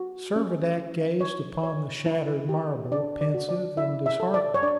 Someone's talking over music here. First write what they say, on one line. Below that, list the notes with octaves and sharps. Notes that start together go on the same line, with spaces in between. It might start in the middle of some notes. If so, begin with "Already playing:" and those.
Servadac gazed upon the shattered marble, pensive and disheartened.
Already playing: F#4
C#4
E4
C#5
C#5
E4
G4
D4 D5
D5
F#4
D5
E4 E5
E5
A4
D5
C#5
D4 D5